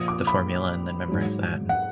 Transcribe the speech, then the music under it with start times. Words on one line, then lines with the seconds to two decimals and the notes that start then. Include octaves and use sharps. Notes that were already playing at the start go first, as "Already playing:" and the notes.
the formula and then memorize that, and
Already playing: A#2 F3 D#6
0.08 D6
0.27 B5
1.09 G#2 F#3
1.69 F#5